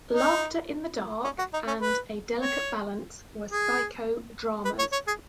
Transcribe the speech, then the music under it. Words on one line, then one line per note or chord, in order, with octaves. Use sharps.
"Laughter in the Dark" and "A Delicate Balance" were psycho-dramas.
D#4
C#4
F#4
D#4
C#4
B4
C#5
G#4
B4
C#5
C#5
G#4